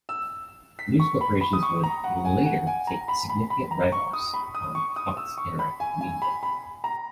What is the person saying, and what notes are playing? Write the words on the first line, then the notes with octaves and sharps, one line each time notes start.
News Corporation would later take significant write-offs on Fox Interactive Media.
E6
B6
C#6
B5
B5
D#6
C#6
A#5
F#5
G#5
F#5
G#5
A#5
B5
B5
B5
A#5
C#6
D#6
B5
D#6
C#6
D#6
E6
C#6
B5
G#5
G#5
B5
B5
A#5